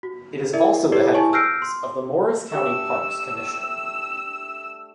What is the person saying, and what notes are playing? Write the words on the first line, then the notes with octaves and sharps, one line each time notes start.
It is also the headquarters of the Morris County Parks Commission.
F#4
E4 G#4 A#4 D5 E5
E4 G4 A4 B4 C#5 D5
E4 G#5 A5 C#6
E6 F6 G6 A#6 C7 D7
C6
A3 D4 G4 E6